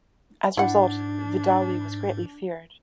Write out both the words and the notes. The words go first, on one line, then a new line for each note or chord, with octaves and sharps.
As a result, Vidali was greatly feared.
G#2 D4 E4 F#5